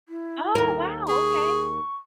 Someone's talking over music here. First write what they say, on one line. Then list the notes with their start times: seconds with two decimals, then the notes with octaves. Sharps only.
Oh, wow. Okay.
0.09 E4
0.55 D#2 A#4
1.08 G#4 C#6